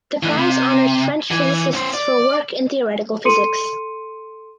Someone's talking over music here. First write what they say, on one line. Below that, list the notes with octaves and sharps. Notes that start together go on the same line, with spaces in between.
The prize honors French physicists for work in theoretical physics.
E3 A3
C3
E3
C#4 C5
D5
A4 C6 C#7 D#7